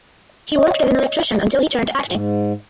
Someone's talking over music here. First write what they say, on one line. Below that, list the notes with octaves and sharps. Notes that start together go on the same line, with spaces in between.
He worked as an electrician until he turned to acting.
C#5 D#5
G#2